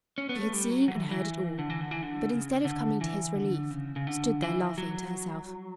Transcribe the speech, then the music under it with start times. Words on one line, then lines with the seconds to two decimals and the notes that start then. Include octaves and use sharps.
She had seen and heard it all, but instead of coming to his relief stood there laughing to herself.
0.18 C#4
0.29 B3
0.36 A3
0.53 G3
0.70 F#3
0.88 F#3
0.95 E3
1.04 D3
1.11 E3
1.59 D3
1.70 E3
1.81 D3
1.91 E3
2.03 D3
2.29 C#3
2.65 D3
3.01 E3
3.36 D3
3.71 C#3
3.96 C#3
4.07 D3
4.42 E3
4.78 F#3